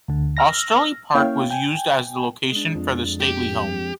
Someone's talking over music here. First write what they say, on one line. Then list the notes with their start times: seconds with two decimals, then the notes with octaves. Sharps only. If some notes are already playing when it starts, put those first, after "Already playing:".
Osterley Park was used as the location for the stately home.
0.08 D2 D3
0.37 E6 F6 A#6
1.14 A#3 C#4 E4 C#5 F5 G5
1.51 G5 G#5
2.52 G#3 D4
2.75 F2
3.21 G4